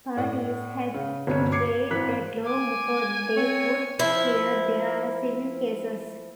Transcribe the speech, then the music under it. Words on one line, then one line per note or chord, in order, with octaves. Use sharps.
Parties had to wait that long before they could hear their civil cases.
A2 D5 F#5
C#3
G1 D2 C3 C#4 C#5
D6 G#6 C7 C#7
G#1 E3 F#6 B6
G#5 D6
C4 C#5
F3 E4